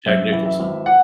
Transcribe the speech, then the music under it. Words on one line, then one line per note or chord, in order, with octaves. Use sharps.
Jack Nicholson.
F#2 E5
E3
E5
G#1
F#5